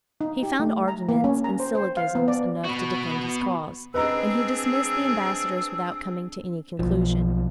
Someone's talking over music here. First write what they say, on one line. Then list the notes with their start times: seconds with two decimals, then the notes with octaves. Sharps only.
He found arguments and syllogisms enough to defend his cause; and he dismissed the ambassadors without coming to any conclusion.
0.21 D#4
0.43 G4
0.60 A3
0.88 A#5
1.09 A#3
1.24 C#4
1.44 A#5
1.60 C5
1.75 C5
1.97 F5
2.15 B3
2.28 D5
2.65 B3 F#4
3.94 C4 D4 G#4 B4 D#5 A#5 E6
6.79 B1 F3